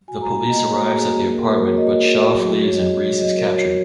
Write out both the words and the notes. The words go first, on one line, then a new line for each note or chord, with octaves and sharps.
The police arrives at the apartment but Shaw flees and Reese is captured.
F#4 G#5
A#5
A#3 A#5
D#5
A#4
A#3 C#5
F#4
A#3 G#4
F#4
A#3 G#4
A#4
F#4 A#4
C#5
F#4 D#5
D#5
F#4 A#4
F#3 G#4
F#4
C#4 C#5
D#5
F#3 C#5
F#3 D#5
A#4
F#4 C#5